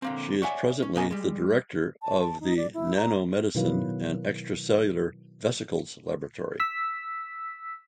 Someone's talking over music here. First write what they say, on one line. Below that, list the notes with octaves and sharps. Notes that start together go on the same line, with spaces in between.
She is presently the director of the Nanomedicine and Extracellular Vesicles Laboratory.
D3 A#3 C4
C#5 D5 E5 F#5 G#5
C#4
B2 A#3 B3 D#5 G#5
G3 G#3
A5
A5
D#4
D5
E4
A#5
B2 D#3 F#3 E4 B4 F5
E6 B6